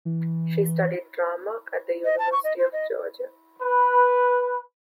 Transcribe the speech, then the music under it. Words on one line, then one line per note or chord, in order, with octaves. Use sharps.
She studied drama at the University of Georgia.
E3
D#5
A5
C#6
D#5
C5
D#5
B4